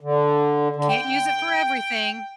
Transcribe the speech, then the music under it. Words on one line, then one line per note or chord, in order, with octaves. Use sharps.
Can't use it for everything
D3
D3
G5